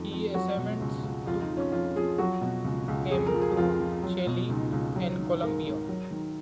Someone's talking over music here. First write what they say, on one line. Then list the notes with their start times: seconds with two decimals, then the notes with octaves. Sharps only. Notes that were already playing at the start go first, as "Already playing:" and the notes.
He assignments took him to Chile and Colombia.
Already playing: F2 D#3
0.11 F2
0.34 F#3 F#4
0.57 B2
0.81 C#2
1.03 C#2
1.26 F2 F4
1.41 D#4
1.50 F3
1.57 C#4
1.72 F2 F4
1.96 F3 G#4
2.18 F#3 F#4
2.41 B2
2.65 C#2
2.88 C#2
3.11 F2 G#4
3.27 A#4
3.34 F3
3.41 G#4
3.57 F2 F4
3.80 F3
4.03 F#3
4.27 B2
4.49 C#2 D#4
4.72 C#2
4.96 F#3
5.19 D#3
5.42 G#2 A#4
5.65 G#2
5.89 F#3
6.11 D#3